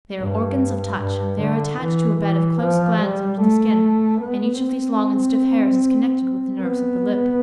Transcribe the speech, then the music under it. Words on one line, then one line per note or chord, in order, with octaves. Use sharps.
They are organs of touch; they are attached to a bed of close glands under the skin; and each of these long and stiff hairs is connected with the nerves of the lip.
G2
G2
D3
E3
E3
F3
G3
A3
B3
C4
B3